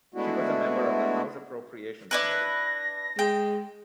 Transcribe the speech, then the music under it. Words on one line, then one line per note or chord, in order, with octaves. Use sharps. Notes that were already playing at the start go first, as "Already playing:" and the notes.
She was a member of the House Appropriations Committee.
G#3 A3 B3 D4 E4 F#4
D4 E4 B4 A#6
G#3 G5